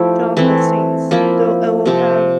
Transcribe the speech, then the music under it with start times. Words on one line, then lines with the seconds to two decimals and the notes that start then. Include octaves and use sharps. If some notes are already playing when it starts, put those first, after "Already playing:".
job listings so it will have
Already playing: F3 A3 E4 G4
0.37 E3 A3 C4
1.11 F3 A#3 E4
1.86 C3 F3 C4